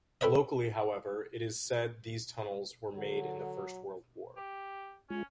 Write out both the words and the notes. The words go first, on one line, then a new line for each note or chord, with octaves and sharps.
Locally however it is said these tunnels were made in the first world war.
C4 A4 B4 C#5 D#5
D3 F#3
G4
G#3 C#4 F4